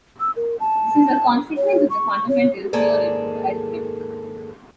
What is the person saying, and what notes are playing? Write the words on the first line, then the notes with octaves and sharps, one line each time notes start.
This is a consequence of the fundamental theorem of arithmetic.
E6
A#4
A5
C#5
C#6
C#5
D#2 G#2 A#3 G#4 A4 D5